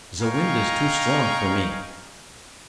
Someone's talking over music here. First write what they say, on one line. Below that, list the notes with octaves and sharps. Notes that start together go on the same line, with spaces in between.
"Ze wind is too strong for me!"
D#5 F5 G5 G#5 A#5 C#6